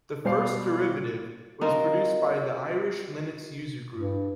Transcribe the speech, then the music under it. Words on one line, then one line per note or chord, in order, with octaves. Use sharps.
The first derivative was produced by the Irish Linux Users Group.
B2 G3 C5 F5 D6 C7
C4 F4 F#4 A#4 D#5 C6
G2